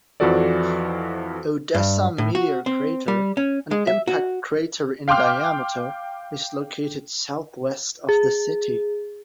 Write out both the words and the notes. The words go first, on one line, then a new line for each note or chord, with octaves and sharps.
Odessa Meteor Crater, an impact crater in diameter, is located southwest of the city.
F2 E3 F3 F#4 A4 D5
G2
A2
F#4
C4
G3
C#4
G#3
E5
F#4
F5 G5 C6 D6 F6
G#4